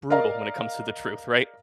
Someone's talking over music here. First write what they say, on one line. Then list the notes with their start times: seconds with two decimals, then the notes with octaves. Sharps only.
brutal when it comes to the truth, right?
0.10 A#4 D5 D#5 F5 A#5